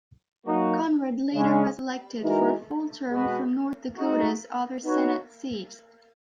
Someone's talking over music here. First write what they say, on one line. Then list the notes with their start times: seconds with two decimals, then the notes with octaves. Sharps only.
Conrad later was elected for a full term from North Dakota's other Senate seat.
0.45 F#3 A#3 D#4 F#4
1.34 C#3 G#3 C#4
2.22 E3 G#3 D#4 F#4 A#4
3.09 B2 G#3 B3 F#4
3.97 G#3 D#4 F#4
4.84 B3 D#4 F#4 C#5